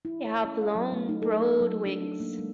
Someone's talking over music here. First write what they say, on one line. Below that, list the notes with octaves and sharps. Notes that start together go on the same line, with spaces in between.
They have long, broad wings.
E4
C#5
C#4
F5
F#3
A3
D#4
A4
F#3
D4
A#3
G#3